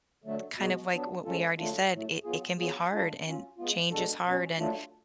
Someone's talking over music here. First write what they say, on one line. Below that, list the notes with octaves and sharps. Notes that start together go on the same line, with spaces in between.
kind of, like, what we already said, it it can be hard, and change is hard and,
D3 F#3 A3
B2 G#3 B3 F#4
F#3 B3 D4
F3 G#3 C#4 F4 A4
D3 F#3 A3 D4 F4
A2 F#3 A3
F#3 B3 F4 G#4
F#3 B3 F4 G#4
G#3 D4 F4
F#3 C#4 F4
G#3 B3 F4
B2 G#3 D4 F#4 A4
B2 F#3 C#4
F#3 A3 D4 F4